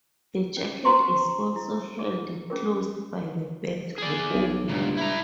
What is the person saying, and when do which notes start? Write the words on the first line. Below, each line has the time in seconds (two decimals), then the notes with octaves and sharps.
The jacket is also held closed by the belt or obi.
0.57 C#4
0.85 F#4 C5 A#5 C6 C#6
1.56 E4
1.99 G#4
2.50 C#4 G#4 A#4
3.98 G#4 D5
4.34 B1
4.69 C#2 G2 A#2
4.98 E4 A#5